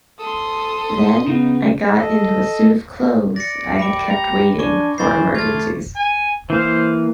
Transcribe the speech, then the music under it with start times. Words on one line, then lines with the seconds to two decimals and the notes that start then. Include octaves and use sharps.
Then I got into a suit of clothes I had kept waiting for emergencies.
0.20 A4 C6 D#6
1.27 C#3 B3 D#4
1.96 A4 D#5
3.36 D5 A#6 C#7
3.79 G4 B5 D6
4.10 A#5
4.59 D4 G#5 C#6 D6
4.98 E3 C4 C#6 A6 C7
5.35 A3 F4 G#6 A6
5.96 G#5
6.50 E3 A#3 C5 F5